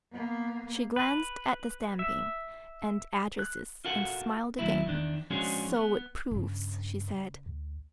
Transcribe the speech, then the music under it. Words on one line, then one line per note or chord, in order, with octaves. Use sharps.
She glanced at the stamping and addresses and smiled again: "So it proves," she said.
A#3 B3
B4
E5
F#6
F4 F#4 A4 A#4 F#5
D#2 F#3 A3 E4
E2 D#3 D4
F3 G#3 C#4 D4 F#4 G#4
B3
G2 C#3
D2